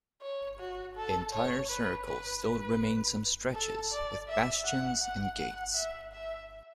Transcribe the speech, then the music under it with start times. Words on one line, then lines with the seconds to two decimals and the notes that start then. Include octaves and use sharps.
Entire circle still remain some stretches, with bastions and gates.
0.22 C#5
0.59 F#4
0.96 A4
1.33 C#5
1.70 B4
2.07 B4
2.43 B4
3.54 A4
3.91 D5
4.28 E5
4.65 F#5
5.02 F#5
5.38 F#5
5.75 E5
6.13 E5